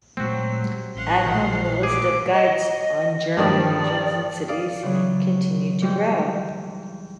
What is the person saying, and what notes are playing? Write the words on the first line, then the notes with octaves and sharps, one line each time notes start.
At home, the list of guides on German regions and cities continued to grow.
A#2 F#3 G#3 A3 C4 F#4
G3
A1 F5 F#5 C6
A#1 D#3
A2 E3 G#4 D6
D#5
G2 D#3 F3 D5
D5 F5 D#6
C#3 E3 F#3
G#2 G3